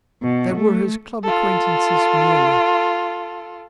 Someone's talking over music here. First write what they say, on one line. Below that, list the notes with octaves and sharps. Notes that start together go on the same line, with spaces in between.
They were his club acquaintances merely.
B2
A3
F4 A4